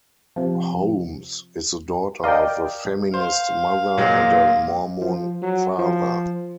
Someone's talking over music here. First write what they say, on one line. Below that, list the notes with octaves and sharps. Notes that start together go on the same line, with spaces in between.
Holmes is the daughter of a feminist mother and a Mormon father.
C3 F3
A#4 D5 D#5 F5 G5
C5 F5
A#2 F#3 G#3 A#3
F3
F#3
F3